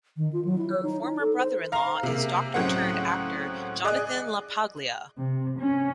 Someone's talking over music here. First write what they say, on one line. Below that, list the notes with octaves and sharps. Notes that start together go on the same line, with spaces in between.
Her former brother in-law is doctor-turned-actor Jonathan LaPaglia.
D#3
F4
F#3
E4
C#5
D#4
D#4
A4
C5
F5 A#5
C3 G#3 A#3
C#2 A2 F#3 C4 C5 F#5
G#4 D5 D#5 F#6
C3
C#4